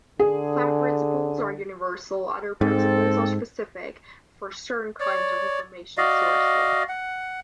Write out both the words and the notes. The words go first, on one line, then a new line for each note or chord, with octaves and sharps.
Some principles are universal, other principles are specific for certain kinds of information sources.
D3 G#4
G#2 C4 A4
C#5 D5
F#4 D5 D#5 F5
F#5